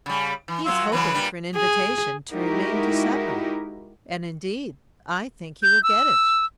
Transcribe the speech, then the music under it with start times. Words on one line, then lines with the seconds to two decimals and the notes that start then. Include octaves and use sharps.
He is hoping for an invitation to remain to supper, and indeed I think he will get it.
0.06 C#3 G3
0.48 E3
0.66 F#2 F#3 F4 C6 E6
0.92 C#3 E3 F#3 B4
1.14 A#2 G3 D4
1.56 G#4
2.31 G#3 D#4 E4 F#4 G4 A#4
5.63 G6
5.83 E6